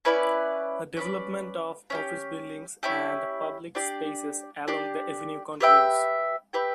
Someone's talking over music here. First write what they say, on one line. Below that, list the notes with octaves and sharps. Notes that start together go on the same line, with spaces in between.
Development of office buildings and public spaces along the avenue continues.
C#4 E4 B4 D5
C#4 E4 B4 D5
C#4 E4 G4
C#4 E4 G4
D4 G4 D5
D4 G4 D5
G4 B4 E5 G5
G4 B4 E5 G5